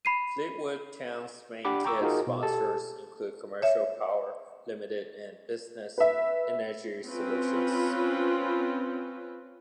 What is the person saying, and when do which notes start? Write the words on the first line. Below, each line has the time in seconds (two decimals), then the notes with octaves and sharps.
Fleetwood Town's main kit sponsors include Commercial Power Limited and Business Energy Solutions.
0.05 B5 C7 D#7
1.65 D4 G4 F#5 B5 D6
1.85 G5 A#5 C#6 D6 E6
2.02 D#4 F4 F#4 G#4 A#4
2.27 B2
2.43 G4 A4 A5
3.62 C#5 E5
5.98 B4 E5
7.07 C4 C#4 F4 B4